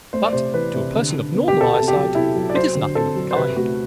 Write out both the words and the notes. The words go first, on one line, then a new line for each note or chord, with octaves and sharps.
But, to a person of normal eyesight, it is nothing of the kind.
A3 C5
D5
C3 C5
E3 B4
C3
D3
D4
B3
G4
B3
A4
C3 A4
G4
F#3
C3 E4
F#3
D5
F#3 C5
D3
C4 A4
F#3
C5
C3 B4
A3 F#4